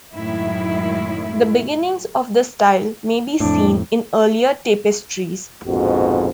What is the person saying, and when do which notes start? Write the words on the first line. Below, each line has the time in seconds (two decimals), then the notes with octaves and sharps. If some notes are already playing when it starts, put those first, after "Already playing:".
The beginnings of the style may be seen in earlier tapestries.
0.14 F#2 A2 D#3 F#3 G#3 E4
3.40 F2 A2 D4
5.66 A#1 F2 G#2 B2 F#4